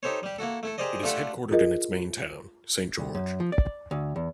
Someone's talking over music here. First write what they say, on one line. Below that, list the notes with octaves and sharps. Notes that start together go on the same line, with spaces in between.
It is headquartered in its main town, Saint George.
D#4 G4 A4 C5 C#5
G3 G4
A#3 E4 F#4 A4
A3 E4 A4
G4 G#4 A#4 C5 D5 D#5
A3 D4 F4 G4 A4 F#5
F4 G#4 A#4 D#5
C2
F#2
F3
D5
D2
E2